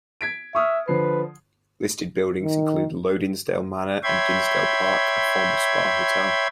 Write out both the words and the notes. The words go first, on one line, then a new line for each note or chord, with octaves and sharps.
Listed buildings include Low Dinsdale Manor and Dinsdale Park a former Spa hotel.
G#6 B6 D7
E5 C#6 D#6 F6
D3 F3 B4 C7
D#3
C#5 E5 G5 B5 C6 G#6